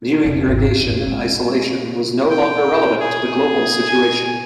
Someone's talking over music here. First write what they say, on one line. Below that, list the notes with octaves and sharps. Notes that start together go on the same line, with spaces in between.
Viewing irrigation in isolation was no longer relevant to the global situation.
F2 C3
G#1 E2
D4
F2 A2
G#3
G5
G#4
G#5